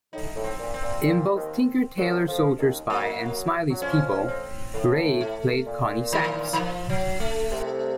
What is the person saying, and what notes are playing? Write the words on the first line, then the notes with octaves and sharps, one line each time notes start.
In both "Tinker Tailor Soldier Spy" and "Smiley's People" Reid played Connie Sachs.
A2 D#4
A2
C4
A#2
C4
A#2
A#2
D#2 D#3
F#2 F#3
F2 F3
D#2 D#3
F#2 F#3 A#3
F#3
F2 F3 C#4
C4
A2 A#3
A3
A#2
D#3
D#3
F3
F#3
A3
C2 C3